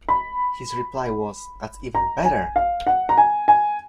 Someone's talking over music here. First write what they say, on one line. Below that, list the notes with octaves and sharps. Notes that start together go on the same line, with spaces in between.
His reply was, That's even better!
B5
A#5
G#5
F5
F#5
A#5
G#5
G#5